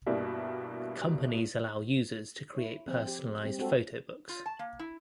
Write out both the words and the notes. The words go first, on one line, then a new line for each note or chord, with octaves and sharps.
Companies allow users to create personalized photo-books.
G2 B2 A#3 D4 E4 G4
E4 C#5
F3 C4 G#4
G4
G3 C4 G4
G#3 C4 D4 F#4 A4
F4
A5
A#3
E4